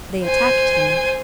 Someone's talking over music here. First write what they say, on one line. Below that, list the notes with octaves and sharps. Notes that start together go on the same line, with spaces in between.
They attacked him.
C5 G#5